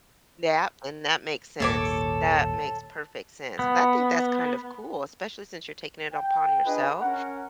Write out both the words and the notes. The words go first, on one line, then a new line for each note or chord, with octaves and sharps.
Yep, and that makes sense. That makes perfect sense, but I think that's kind of cool, especially since you're taking it upon yourself.
D#1 G#1 A#3 A4 C#5 D6
B3
G5
D4 F4 G#4 B4 D#5
C#4 A#4 F#5